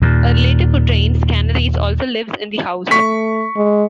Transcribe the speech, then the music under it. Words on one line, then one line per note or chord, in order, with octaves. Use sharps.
A relative who trains canaries also lives in the house.
D#2 A#2
A3 C#6 B6
G#3